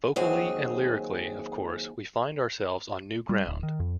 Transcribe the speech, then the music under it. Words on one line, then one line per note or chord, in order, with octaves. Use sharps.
Vocally and lyrically, of course, we find ourselves on new ground.
D#2 F#3 C4 G#4
G3
D1
D#3
F2